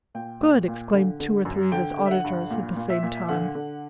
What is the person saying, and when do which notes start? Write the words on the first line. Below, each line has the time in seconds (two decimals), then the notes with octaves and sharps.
"Good!" exclaimed two or three of his auditors at the same time.
0.15 A#2 G5
0.41 A#2
0.68 A#2
0.94 D3
1.20 D3
1.45 F#2
1.72 D3 G5
1.98 D3
2.06 E5
2.11 F#5
2.24 G2
2.50 A#2
2.76 A#2
2.90 E5
3.03 A#2
3.29 D3 F#5
3.55 D3